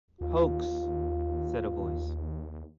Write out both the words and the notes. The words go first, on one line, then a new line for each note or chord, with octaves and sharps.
"Hoax," said a Voice.
D#2 F4